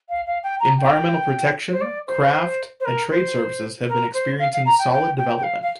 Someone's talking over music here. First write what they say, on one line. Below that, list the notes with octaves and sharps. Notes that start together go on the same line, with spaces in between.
Environmental protection, craft, and trade services have been experiencing solid development.
F5
F5
G5
A#5
G5
C5
D5
C5
C5
A#4
C5
A#4
C5
F5
F5
A#5
G5
G5
G5
G5
F5
F5